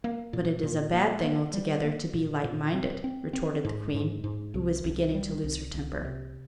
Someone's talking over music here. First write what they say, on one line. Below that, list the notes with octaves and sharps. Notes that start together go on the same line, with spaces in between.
"But it is a bad thing altogether to be light-minded," retorted the queen, who was beginning to lose her temper.
A#3
A#2
A#2
A#3
A#3
G3
A#3
A#2
A#2
C4
C4
C4
G#2
G#2
G#2
C2
C2
G3
C2
C2
C3